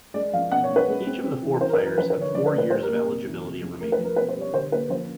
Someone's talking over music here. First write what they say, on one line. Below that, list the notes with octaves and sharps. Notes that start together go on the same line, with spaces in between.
Each of the four players have four years of eligibility remaining.
G#3 D5
F3 F5
B2 F#5
C#5
B2
B4
G#3
C4
C4
E3
E3 C5
A#4
B4
E3
A#4
F3 B4
B4
D3 C#5
F3 D5
B4
A3
B4
G3 C5
A#4
A#2
A#4
C3
E3
C3
F3
A3 A#4
B4
F3
A#4
B2 B4
C5
G3
C#5
D3 C5
A#3 B4
F3 C5